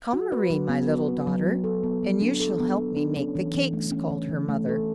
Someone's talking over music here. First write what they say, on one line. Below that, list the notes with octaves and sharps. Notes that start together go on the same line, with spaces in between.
"COME, Mari, my little daughter, and you shall help me make the cakes," called her mother.
F#4
B4
F#3
B3
F#4
B4
F#3
B3
A4
B3
B3
D4
A4
B3
B3
D4
C#4
E3
E3
A3
C#4
E3
E3
A3
A4